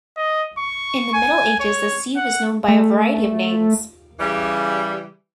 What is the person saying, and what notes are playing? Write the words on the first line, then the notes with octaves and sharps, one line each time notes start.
In the Middle Ages the sea was known by variety of names.
D#5
C#6
G#5
C#5
F#5
A3
C#3 E3 G3